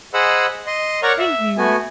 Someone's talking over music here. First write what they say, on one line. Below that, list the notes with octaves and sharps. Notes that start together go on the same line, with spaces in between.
Thank you.
G#4 C5 D#5 F#5 B5 E6
D#5 C6
A#4 C#5 D5 F#5 A#5 C#6
E5
A3 B3 F#4 G#5